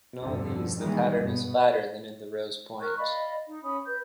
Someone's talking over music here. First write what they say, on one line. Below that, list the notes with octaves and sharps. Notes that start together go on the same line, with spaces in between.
In all these the pattern is flatter than in the rose-point.
A1 E2 G2 B2 D3 F3
D#3 E3 G3 G#3 A#3
G2 B2 B3
A#4 C#6 F6 F#6
D5 D#5 F5 B5
D#4
C#4 B5 D#6
B4 G6